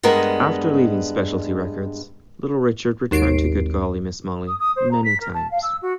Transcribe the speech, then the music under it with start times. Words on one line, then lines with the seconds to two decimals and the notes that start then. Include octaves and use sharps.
After leaving Specialty Records Little Richard returned to "Good Golly, Miss Molly" many times.
0.03 G2 G#3 B3 D4 A#4 D#5
3.11 G#1 D#2 C7 D7
4.47 D#6
4.59 D#6
4.76 C5
4.91 A#5
5.04 B6
5.20 A#4
5.34 A5
5.51 F5
5.63 E6
5.82 F#4